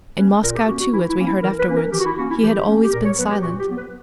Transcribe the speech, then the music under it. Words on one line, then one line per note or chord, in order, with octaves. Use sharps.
In Moscow, too, as we heard afterwards, he had always been silent.
A#3 C#4 B4
A#2 A#4
G4
A#3 C#4 F#4
F#4
E3 E4
E4
A#3 C#4
E4
E3 A#4
B4
A#3 C#4
A#4
E3 G4
F#4
E4
A#3 C#4 F#4
E4
E3 G4
A#3 C#4
G4
A#2 A#4
C#5
F#3 B3 B4
G4
A#2 F#4
G4
F#3 B3
B4